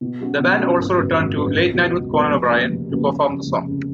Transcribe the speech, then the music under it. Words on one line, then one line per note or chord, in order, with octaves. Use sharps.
The band also returned to "Late Night with Conan O'Brien" to perform the song.
B2
F#3 C#4 F#4
B2
F#3 C#4 F#4
G#1
F#2 C#3 F#3 B3
G#1
F#2 C#3 F#3 B3
C#2
B2 F#3 B3
C#2
B2 F#3 B3
F1
D#2 C#3 F#3 B3
F1
D#2 C#3 F#3 B3
F1
F2 C#3
F1
F2 C#3